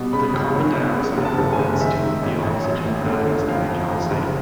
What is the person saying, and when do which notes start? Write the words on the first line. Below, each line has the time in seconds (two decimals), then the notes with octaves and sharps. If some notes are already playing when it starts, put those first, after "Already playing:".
The carbon dioxide provides two of the oxygen atoms in the calcite.
Already playing: B2 G3
0.13 C#3 B5
0.34 C#2
0.55 F#3
0.76 B3
0.96 C#3
1.18 F#1
1.25 A5
1.39 F#1
1.53 G#5
1.59 F#1
1.80 D#3 E5
2.01 G#2
2.23 A1
2.43 A1
2.64 F#2
2.85 G1
3.06 D3
3.27 G1
3.48 F2 F5
3.68 F2
3.90 F2
4.11 F#1